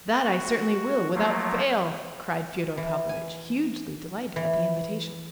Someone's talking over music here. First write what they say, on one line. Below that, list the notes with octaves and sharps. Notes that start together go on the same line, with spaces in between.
"That I certainly will, without fail," cried Fyodor Pavlovitch, hugely delighted at the invitation.
F#4
F3 F#3 A3 A#3
E3
G#5
E3